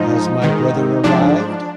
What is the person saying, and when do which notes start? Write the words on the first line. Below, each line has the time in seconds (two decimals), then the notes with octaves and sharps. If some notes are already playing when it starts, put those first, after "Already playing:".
Has my brother arrived?
Already playing: G#2 F3 D#4
0.42 G#2 D#3
1.04 G#2 F3 D4